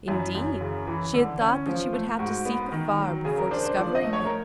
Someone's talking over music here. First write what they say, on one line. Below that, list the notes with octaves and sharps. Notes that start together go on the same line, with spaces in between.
Indeed, she had thought that she would have to seek afar before discovering him.
F#2 E4
F#2
C#3
E3
D3
C#4
F3 F4
A3
G#2 F#4
B3
D#3
F#3
C#3 G#4
A#4
D4 C5
C5
F3 D5
D#5
A3
C#5
A#4